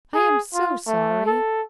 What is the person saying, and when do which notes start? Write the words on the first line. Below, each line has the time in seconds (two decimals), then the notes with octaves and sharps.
"I am so sorry!"
0.15 G#4
0.55 F4
0.87 A3
1.26 A4